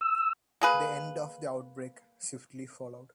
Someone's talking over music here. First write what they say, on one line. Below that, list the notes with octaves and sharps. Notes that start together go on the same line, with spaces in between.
The end of the outbreak swiftly followed.
E6
A#3 G#4 B4